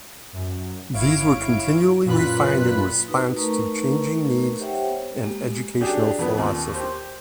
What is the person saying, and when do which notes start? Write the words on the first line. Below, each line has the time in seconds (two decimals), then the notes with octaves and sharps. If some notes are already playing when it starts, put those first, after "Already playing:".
These were continually refined in response to changing needs and educational philosophy.
0.33 F#2
0.93 G1 E4 C#5 F5 D7
2.05 F#2 A#2 F4 B4 F#6 B6
3.08 D#4 F#4 B4
3.36 A3 D#4 A#4 B4 A#5 C#6
4.59 G4 C5 C#5 E5 F#5 G5
4.87 B3
5.22 G#3 A#3 G4
5.81 F#3 D4 G4 G#4
6.19 F2 B3
6.34 D#2 A#2
6.74 G4 C5